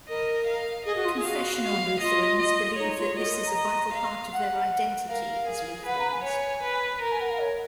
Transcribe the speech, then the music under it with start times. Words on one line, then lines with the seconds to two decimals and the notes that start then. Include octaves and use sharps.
Confessional Lutherans believe that this is a vital part of their identity as Lutherans.
0.08 A#4 D#5
0.47 F5
0.85 G#4 D#5
0.96 F#4
1.05 F4
1.15 G#4
1.24 F#4 F5
1.63 F5
2.01 F4 D#5
2.40 D#5
2.78 D#4 C#5
2.97 F4
3.16 F#4 D#5
3.26 A#4
3.35 B4
3.46 A#5
3.55 D#5
3.94 F5
4.32 F#5
5.08 A#4 F5
5.47 G#4
5.86 B4 F#5
5.99 A#5
6.11 G#5
6.24 C#5 G#5
6.63 B4
7.01 A#4 A#5
7.11 G#5
7.20 F#5
7.30 F5
7.39 C#5